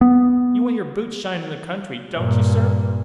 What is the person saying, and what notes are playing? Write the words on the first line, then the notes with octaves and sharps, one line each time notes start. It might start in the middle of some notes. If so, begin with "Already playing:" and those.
"You want your boots shined in the country--don't you, sir?"
B3
G2 A#2